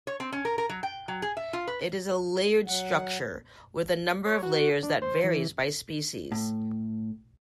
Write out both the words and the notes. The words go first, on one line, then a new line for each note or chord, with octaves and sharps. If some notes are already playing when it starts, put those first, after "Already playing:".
It is a layered structure, with a number of layers that varies by species.
C#5
C4
C#4
A#4
A#4
F#3
G5
F#3
G#4
E5
F4
B4
F#3 F#5
C#5
F#4
D4
C5
E3
A2